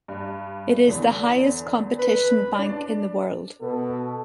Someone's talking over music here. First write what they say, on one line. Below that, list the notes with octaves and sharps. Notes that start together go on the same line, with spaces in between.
It is the highest competition bank in the world.
G2
E2 D3
B4
D4 D5
B2 B3 A4